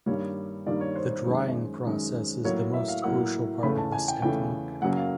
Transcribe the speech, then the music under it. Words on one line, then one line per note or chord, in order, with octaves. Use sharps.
The drying process is the most crucial part of this technique.
G2 D#3 G3 A#3 C#5
G2 D#3 G3 A#3 D5
C#5
C5
C5
F#2 D#3 G#3
F#2 D#3 G#3
A2 F#3 A#3 C#5
E5
F5
A2 F#3 A#3 F#5
E2 C#3 E3 A3 B5
A5
G#5
G5
E2 C#3 E3 A3 G5
F#2 C#3 F#3 A#3 F#5
F5